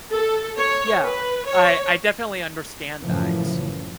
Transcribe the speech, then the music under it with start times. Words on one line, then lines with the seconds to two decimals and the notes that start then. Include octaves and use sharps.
Yeah, I I definitely understand that.
0.12 A4
0.57 C#5
1.05 B4
1.46 C#5
3.03 F#2 A2 C#3 E3 F3